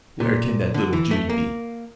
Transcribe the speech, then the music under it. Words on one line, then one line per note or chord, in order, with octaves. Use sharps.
Where can that little Judy be?
A#2
D3
E3
A3
A#3